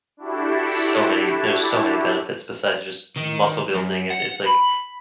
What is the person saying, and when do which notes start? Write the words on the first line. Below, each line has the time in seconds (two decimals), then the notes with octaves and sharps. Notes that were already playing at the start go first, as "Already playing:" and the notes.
so many there's so many benefits besides just muscle building, and it's, like,
0.17 D4 E4 F#4 G4 A4
3.17 D#3
3.75 F#2
4.11 F#5
4.47 B5